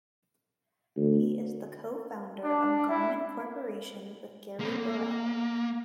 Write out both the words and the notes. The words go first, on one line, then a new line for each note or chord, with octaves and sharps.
He is the co-founder of Garmin Corporation with Gary Burrell.
D2
D4
E4
A#3 C4
A#3